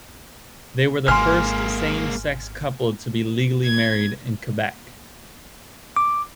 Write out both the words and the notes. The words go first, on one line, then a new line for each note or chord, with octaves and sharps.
They were the first same-sex couple to be legally married in Quebec.
G#1 G#3 A#3 G#5 C6 F6
G#6
D6